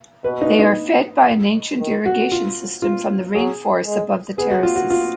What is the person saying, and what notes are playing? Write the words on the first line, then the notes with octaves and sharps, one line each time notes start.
They are fed by an ancient irrigation system from the rainforests above the terraces.
B2 B4
D#4
D#4
D#3
F#4
F4
F4
F#3 G#4
G#3
B3 G#4
F#4
F4
F#4
F4